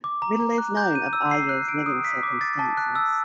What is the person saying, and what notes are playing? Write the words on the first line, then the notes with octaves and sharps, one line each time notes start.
Little is known of Ayrer's living circumstances.
D6
A#5
A#5
F#6
G6
D#7
E6
C7
F#6
D7
D#6
B6
D6
A6
A5
F#6
E6